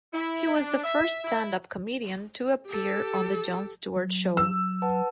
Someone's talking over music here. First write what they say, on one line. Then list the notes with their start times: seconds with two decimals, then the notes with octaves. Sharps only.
He was the first standup comedian to appear on The Jon Stewart Show.
0.14 E4
0.56 D4
0.84 E5
1.25 E4
2.67 G4 A4
3.96 F#3
4.37 E6
4.82 B4 F#5 A5